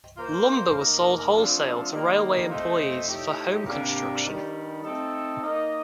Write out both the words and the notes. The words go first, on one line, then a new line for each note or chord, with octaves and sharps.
Lumber was sold wholesale to railway employees, for home construction.
A#3 F4 C5
A#3 D#4 A#4
D3 F3 A3 C4 F4
D#3 G3 A#3
A3 C4 F4 C5 D#5
A2 A3 D#4 G4
C3 G3 A#3 D4
G2 D#3 G3
A3 C4 D#4 A4
A#3 D#4 A#4 D#5